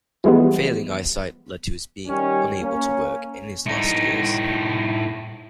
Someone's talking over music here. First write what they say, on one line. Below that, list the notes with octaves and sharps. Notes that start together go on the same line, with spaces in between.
Failing eyesight led to his being unable to work in his last years.
E3 F3 G3 G#3 B3
D#3 G3 C#4
A#3 C#4
A2 D#4